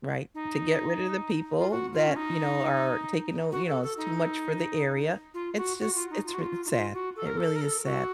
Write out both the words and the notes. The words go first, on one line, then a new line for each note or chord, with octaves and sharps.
Right, to get rid of the people that, you know, are taking note you know, it's too much for the area. It's just it's r it's sad, it really is sad.
D#4
F4
F#4
F4
C#4
D#4
F#4
A4
A4
D#4
F4
F#4
F#4
F4
D#4
F4
F#4
F4
D#4
F4
F#4
A4
A#4
A4
A#4
A4
F#4